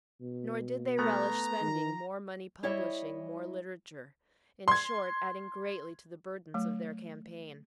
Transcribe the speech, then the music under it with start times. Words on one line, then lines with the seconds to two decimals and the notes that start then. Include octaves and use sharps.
Nor did they relish spending more money publishing more literature, in short, adding greatly to the burdens of their campaign.
0.21 B2
0.99 A3 B3 A#5
1.61 D#3
2.63 G3 E4 C#5 D#5 E5
4.68 C6 G#6
6.54 F#3 A3